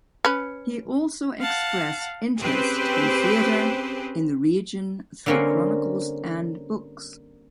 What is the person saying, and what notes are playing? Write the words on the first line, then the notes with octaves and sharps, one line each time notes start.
He also expressed interest in theatre in the region through chronicles and books.
C#4 B4
F5 F#5 A5
C4 C#4 G4 G#4 B4 C5
D3 G3 A#3 C4 C#4